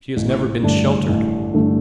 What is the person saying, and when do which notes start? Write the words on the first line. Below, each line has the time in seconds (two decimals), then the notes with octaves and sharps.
She has never been sheltered.
0.17 A1
0.63 G2 D3 A3 D4
1.09 A1
1.54 G2 D3 A3 D4